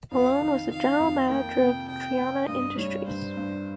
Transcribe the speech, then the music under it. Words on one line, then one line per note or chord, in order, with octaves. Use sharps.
Malone was the general manager of Triana Industries.
F2 F5
D#3
D#3 F5
F2
A#3 G5
C3
C3 G5
C3
G2 D#5
G3 C#5
G2 C5
G2